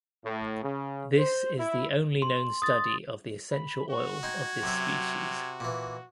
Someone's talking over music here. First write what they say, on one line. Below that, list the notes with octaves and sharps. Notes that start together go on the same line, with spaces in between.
This is the only known study of the essential oil of this species.
A2
C#3
C5
E4
C6
D#6 A6
B5
F#4 C#6
D#4 G5 C6 G#6
F#2 C3 E5
A#2 E3